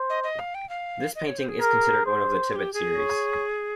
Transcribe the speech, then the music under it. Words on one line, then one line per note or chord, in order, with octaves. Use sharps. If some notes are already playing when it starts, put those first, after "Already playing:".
This painting is considered one of the "Tibet Series".
Already playing: C5
D#5
D#5
F5
G5
F5
D#5
C#5
C5
G#4
A#4
C5
G#4
G4
G#4
C#5